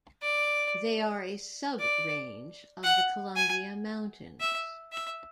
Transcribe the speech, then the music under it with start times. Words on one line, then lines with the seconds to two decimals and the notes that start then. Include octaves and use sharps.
They are a sub-range of the Columbia Mountains.
0.22 D5
1.79 D5
2.83 F#5
3.36 G#5
4.40 E5
4.92 E5